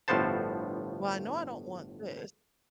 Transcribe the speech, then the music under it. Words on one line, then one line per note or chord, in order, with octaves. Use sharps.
"Well, I know I don't want this."
G1 A2 F3 B3 C5 A5